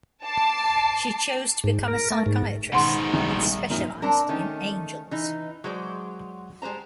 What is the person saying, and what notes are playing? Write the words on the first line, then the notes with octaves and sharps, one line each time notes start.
She chose to become a psychiatrist, and specialized in angels.
A5 D6 C7
G#2
A#4
A3
G#2
G#2 B2 D#3 F#5 C6
A#1 G3
F#2 A#2 D#3 F#3
C4 D4 A#4
D#3 A3 C#4
E3 D#4
F#3 G#3 C5 D5
G3 G#3 B4 C5 A#5